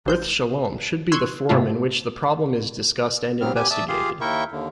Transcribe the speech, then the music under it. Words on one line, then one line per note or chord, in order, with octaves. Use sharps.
Brith Shalom should be the forum in which the problem is discussed and investigated.
A1 C5 G6
C6 C#6 E6 F#6 G#6
G#2 C3 A3 E4 F4
G#2 C3 F#3 B3 C4 F6
B3 G4 G#5
D5 E5 A5 D#6 E6
F4 G4 G#4 F5
D#2 E4 A#4 E5 G5 C#6
D#2 D3